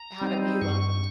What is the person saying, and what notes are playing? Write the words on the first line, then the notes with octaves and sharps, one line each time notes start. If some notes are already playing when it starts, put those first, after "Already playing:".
How to be loved.
Already playing: A#5
G3 C4 D#4
G2 C#6